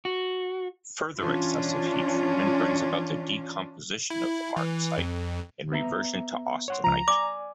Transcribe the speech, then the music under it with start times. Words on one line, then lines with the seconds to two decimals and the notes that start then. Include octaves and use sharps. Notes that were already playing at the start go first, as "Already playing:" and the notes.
Further excessive heat-treatment brings about the decomposition of the martensite and reversion to austenite.
0.05 F#4
1.19 E3 C#4 D4 F4
4.10 E4
4.56 E3
4.98 F2
5.72 B3 E5 A#5
6.68 C#5 F#5 C6
6.84 C#2 F3 A#5
7.08 D5 G#5 D6